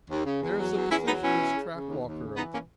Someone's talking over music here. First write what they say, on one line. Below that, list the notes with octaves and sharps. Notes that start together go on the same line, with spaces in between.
There is a position as track-walker open.
D#2
C#3
E2
F#3
E2
E2 C#4 E4
F#3 B3 D#4
B2 C#4 E4
E3
C#3
C#3
D#2
D#2
C#3
E3 B3 D#4
A#3 C#4